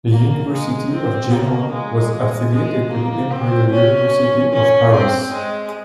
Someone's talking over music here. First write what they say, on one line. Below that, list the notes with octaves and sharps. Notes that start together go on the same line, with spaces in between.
The University of Genoa was affiliated to the Imperial University of Paris.
A#3
G#3
C4
A#3
G#3
G#3
A#3
C4
C#4
C#4
C4
G#3